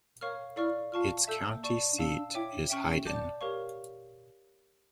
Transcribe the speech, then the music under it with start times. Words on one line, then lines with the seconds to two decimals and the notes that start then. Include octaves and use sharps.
Its county seat is Hyden.
0.21 A#4 C#5 F5 C#6 F6
0.56 E4 A4 D5 F5 C#6 F6
0.92 F4 F5 A5 C#6 F6
1.27 A4 E5 A5 E6 G6
1.46 A#3
1.63 D5 A5 C#6
1.92 D4
1.99 C#4 F5 A5 E6
2.17 D4
2.34 E4 C#5 E5 G5 D6
2.52 D4
2.70 C#4 E5 G5 C#6 F6
3.06 D5 A5 D6 G6
3.41 G4 A#4 C#5 F5 C#6